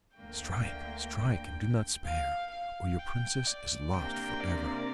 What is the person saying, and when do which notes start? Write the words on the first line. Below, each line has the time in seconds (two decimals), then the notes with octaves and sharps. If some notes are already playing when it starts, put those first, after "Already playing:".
"Strike! strike! and do not spare, or your Princess is lost for ever!"
0.17 D2 D3 A#3 G5
2.05 F5
2.52 F5
2.99 G5
3.47 D5
3.93 C3 A#3 D4 A#4 G5
4.41 D5